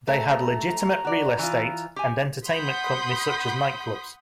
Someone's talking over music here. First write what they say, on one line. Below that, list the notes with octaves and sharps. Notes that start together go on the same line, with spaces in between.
They had legitimate real estate and entertainment companies such as night clubs.
A3 A#5
F#4 D5
E3 F4
G4 G#5
F#5 B5 C6 D#6 G6 B6